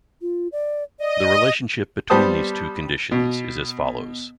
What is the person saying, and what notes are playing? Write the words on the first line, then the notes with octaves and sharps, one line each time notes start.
The relationship between these two conditions is as follows.
F4
D5
D5 D#5
G3 B3 C5 A5 D#6
B2